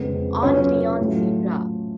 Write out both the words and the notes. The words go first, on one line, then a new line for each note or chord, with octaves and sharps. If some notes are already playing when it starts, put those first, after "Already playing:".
On Beyond Zebra!
Already playing: F2 C#3 G#3 B3
C#3 F#3 B3 C#4 F4
A2 F#3 A3 C#4 F4